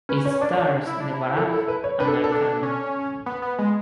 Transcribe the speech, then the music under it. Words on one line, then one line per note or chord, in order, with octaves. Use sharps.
It stars Devaraj and Archana.
C#4 B4
C#4 C#5
D4 D5
C#4
D4 C#5
E4
D4
E4
A4
A4
B4
C#5
D4 B4
A4
A4
D4
C#4
B3
B3
G#3